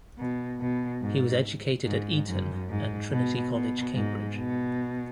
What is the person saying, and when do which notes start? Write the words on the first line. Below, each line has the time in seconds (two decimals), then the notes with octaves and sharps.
He was educated at Eton and Trinity College, Cambridge.
0.18 B2
0.60 B2
1.01 G#2
1.85 G#2
2.26 F#2
2.68 G#2
3.10 B2
3.52 B2
3.94 G#2
4.35 B2